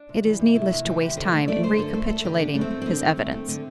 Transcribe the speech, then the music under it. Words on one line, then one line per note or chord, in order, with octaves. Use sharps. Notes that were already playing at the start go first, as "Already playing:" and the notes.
It is needless to waste time in recapitulating his evidence.
Already playing: D4
C3
E3
C3
A3 E4
C3
E3 G4
C3
D3 C5
A3
A3 D5
D3 C5
D3 A4
A3 C5
A3 A4
D3 G4
D3 D4
A3
C4
A3
D3 C4
D3
A3
A3
D3